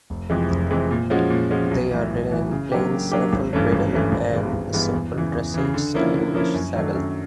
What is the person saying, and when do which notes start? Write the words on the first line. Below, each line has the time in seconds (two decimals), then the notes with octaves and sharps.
They are ridden in a plain snaffle bridle and a simple dressage-style English saddle.
0.10 F1
0.30 F2 C3 E3 G#3
0.50 F1
0.70 F2 C3 E3 G#3
0.91 A#2
1.10 F3 G#3 C#4 F#4
1.30 A#2
1.50 F3 G#3 C#4 F#4
1.71 B1
1.91 A2 E3
2.12 B1
2.31 A2 E3
2.52 C#3
2.72 F#3 A#3 D4 G4
2.92 C#3
3.12 F#3 A#3 D4 G4
3.33 G#1
3.53 G2 E3 A3 C#4
3.72 G#1
3.93 G2 E3 A3 C#4
4.12 G#1
4.33 G2 E3 G#3 B3
4.53 G#1
4.73 G2 E3 G#3 B3
4.93 E2
5.14 C#3 E3
5.33 E2
5.54 C#3 E3
5.74 D3
5.94 F3 A#3 C#4 E4
6.14 D3
6.34 F3 A#3 C#4 E4
6.54 F#2
6.75 D#3 F#3 A3 D4
6.95 F#2